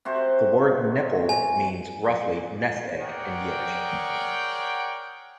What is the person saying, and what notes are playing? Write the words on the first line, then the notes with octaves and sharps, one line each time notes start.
The word "knipl" means roughly "nest egg" in Yiddish.
C3 F#4 C5
G#5
G#4 A#4 C#5 D5 F#5 G5